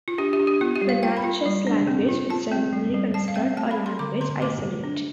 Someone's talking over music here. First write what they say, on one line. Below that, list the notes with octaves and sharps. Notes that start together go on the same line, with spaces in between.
The Natchez language is generally considered a language isolate.
F4
D4 G4
G4
D4
G4
B3 F4
G4
G3
F5
F4 G5
B5
F4
G3
D4
C4
F4
F4 A5
C4
G3
G3
G3 A5
F5
C4 G5
A3 A5
B5
A3
C6
D3 D6
D3 C6
A3 D6
A3
D4